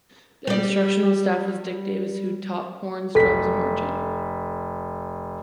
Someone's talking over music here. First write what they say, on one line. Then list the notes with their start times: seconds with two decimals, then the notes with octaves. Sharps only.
The instructional staff was Dick Davis, who taught horns, drums, and marching.
0.47 G3 D5
3.15 F1 A4 B6